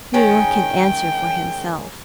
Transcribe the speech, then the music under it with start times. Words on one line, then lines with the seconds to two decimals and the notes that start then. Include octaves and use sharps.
Who can answer for himself?
0.14 D#3 G#3 C#4 G5